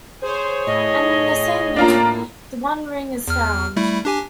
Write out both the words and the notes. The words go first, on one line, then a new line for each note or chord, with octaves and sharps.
And in the same year, the One Ring is found.
G#4 C5 C#5
A2 D#5
A#3 D4 F4 A#5
E2 F6
G3 A3 E4
D4 G4 G#5